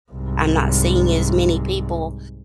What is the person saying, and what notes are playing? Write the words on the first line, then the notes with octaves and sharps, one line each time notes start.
I'm not seeing as many people
C2 G#2